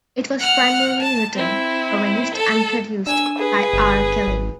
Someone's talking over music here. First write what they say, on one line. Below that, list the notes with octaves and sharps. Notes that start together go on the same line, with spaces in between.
It was primarily written, arranged, and produced by R. Kelly.
F#5 F6
A5
C4 E4
A4 A5
D4 G#5 E6
G#4 B4
G1
G#1